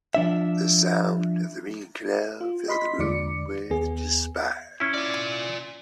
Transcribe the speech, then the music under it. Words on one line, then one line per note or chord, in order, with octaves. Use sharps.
The sound of the ringing Knell filled the room with despair.
F3 D4 E5
F4
D#5 B5 C6 B6
E2 D3 G#3 D5 D6 C#7
D#2 B3 G#4
C#4 E4
F4 D5